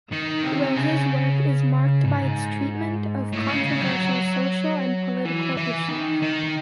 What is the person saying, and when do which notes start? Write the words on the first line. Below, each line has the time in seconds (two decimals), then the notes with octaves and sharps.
Rose's work is marked by its treatment of controversial social and political issues.
0.12 D#3
0.43 C3
0.76 C#3
2.04 G#2
3.32 A2
3.48 C#3
3.65 C#3
3.81 F#3
5.25 E3
5.57 E3
5.89 D#3
6.22 D#3